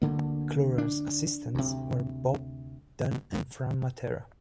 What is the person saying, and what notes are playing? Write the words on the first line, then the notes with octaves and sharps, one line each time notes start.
McClure's assistants were Bob Dunn and Fran Matera.
D2 D3 A#3
D4
D2 C3